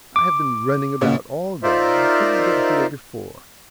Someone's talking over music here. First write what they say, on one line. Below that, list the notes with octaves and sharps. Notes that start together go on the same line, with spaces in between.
I have been running about all day, and couldn't get here before.
D6
A#2 C#3
D#4 F4 A#4 C5 D5 E5